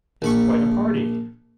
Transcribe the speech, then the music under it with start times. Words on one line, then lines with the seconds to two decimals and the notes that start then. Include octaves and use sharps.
'It's quite a party!'
0.22 A#1 B5 C#6